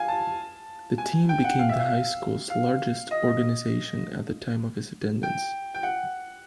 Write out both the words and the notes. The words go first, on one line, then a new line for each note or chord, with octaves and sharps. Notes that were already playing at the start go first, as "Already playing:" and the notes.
The team became the high school's largest organization at the time of his attendance.
Already playing: F5 G#5
A5
G#5
G5
F#5
F5
E5
F5
F5
D#5
G5
G5
F#5